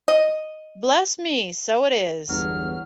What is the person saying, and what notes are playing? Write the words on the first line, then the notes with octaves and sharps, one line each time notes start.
Bless me, so it is!
D#5
G1 E2 F#3 F6